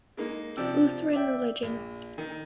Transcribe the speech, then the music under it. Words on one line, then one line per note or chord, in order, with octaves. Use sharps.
Lutheran religion.
G#3 A#3 D#4
C3 F3 D5 G5 E6
D5 E5 G5
A#1
D#3